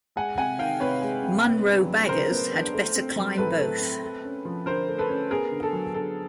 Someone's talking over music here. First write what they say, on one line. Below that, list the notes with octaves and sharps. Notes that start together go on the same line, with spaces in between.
Munro baggers had better climb both.
G#3 F#5 G#5
C3 F#5 G#5
D#3 F5 G5
C3 B4 C#5
G#3
C3
B3
D4
F#3
C#3 A#4 C5
B3
D4
A3
C4
F#3
A2 A4 B4
A3
C4
A3
C#4
F3
D3 A#4 C5
A3
A4 B4
C#4
B3 G#4 A#4
D3
A4
F#3
D3 A4